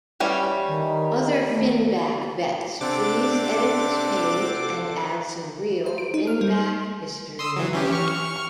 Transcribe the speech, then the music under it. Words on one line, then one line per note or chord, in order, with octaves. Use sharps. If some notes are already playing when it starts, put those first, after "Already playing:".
Other "Finback" vets please edit this page and add some real "Finback" history.
E3 G3 C#4
D#3
A3
C3 C4 D4 A4 C5 F#5 D6 A6
C5
D7
D#4
F6
G3
C6 D#6 E6
E3 F#3
E3 C#4 G4
C#6 F6